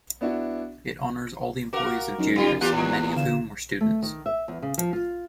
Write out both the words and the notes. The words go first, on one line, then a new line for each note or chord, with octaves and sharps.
"It honors all the employees of Junior's, many of whom were students."
B3 D4 E4 F#4
F#4 A#4 F5 D6
F#2 F#3 D#4
G3 F4
E2 A#3 F4 G4 F#6
A2
D3 F5 E7
A3
D#3
E5
E2
C#3
F3
F4